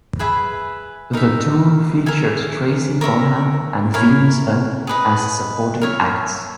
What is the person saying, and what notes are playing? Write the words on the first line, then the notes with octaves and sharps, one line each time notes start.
The tour featured Tracy Bonham and Venus Hum as supporting acts.
G#4 B4 E5 B5
D#4 A#4 E5
A#4 E5 G#5
A#4 C#5 E5 A#5
E4 A#4 C#5 G#5
G#4 B4 D#5
A#4 C#5 E5